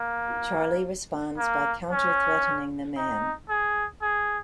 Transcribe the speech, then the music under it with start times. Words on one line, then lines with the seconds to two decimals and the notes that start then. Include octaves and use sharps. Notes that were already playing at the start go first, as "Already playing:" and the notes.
Charlie responds by counter-threatening the man.
Already playing: A#3
1.38 A#3
1.91 C#4
2.97 D#4
3.49 G#4
4.02 G#4